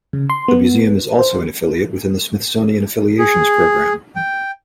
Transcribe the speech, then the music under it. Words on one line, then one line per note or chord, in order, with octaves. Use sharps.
The museum is also an affiliate within the Smithsonian Affiliations program.
C#3
C6
B3
C5
G#4
G5